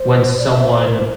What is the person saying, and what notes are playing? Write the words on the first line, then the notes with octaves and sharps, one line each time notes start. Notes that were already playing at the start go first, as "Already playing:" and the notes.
when someone
Already playing: C5
D5
E5
C5
D5
C5
A#4
C5